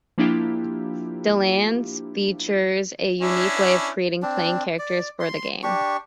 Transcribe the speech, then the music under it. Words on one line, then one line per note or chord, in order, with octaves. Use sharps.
"Deadlands" features a unique way of creating playing characters for the game.
F3 A#3 D4 E4 F4 G4
C#4 D4 E4
C4 D4
D5
C6
D4 G4 C#6